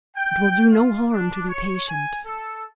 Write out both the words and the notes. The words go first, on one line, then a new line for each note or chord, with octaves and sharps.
It will do no harm to be patient.
G5
F4
D4
C#5
G#5
A4